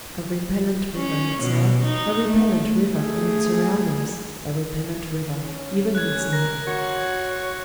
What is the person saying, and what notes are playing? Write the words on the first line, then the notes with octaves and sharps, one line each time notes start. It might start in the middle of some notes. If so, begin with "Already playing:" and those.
A repellent river in itself, a repellent river in its surroundings, a repellent river even in its name.
C#4
B2
D#4
A3
A3 G#4
C#4
F#6 G#6
A#4 A#6
F#4 C#5